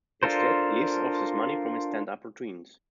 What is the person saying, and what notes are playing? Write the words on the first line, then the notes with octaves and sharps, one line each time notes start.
Instead, he lives off his money from his stand-up routines.
D4 F4 A4 A#4 C5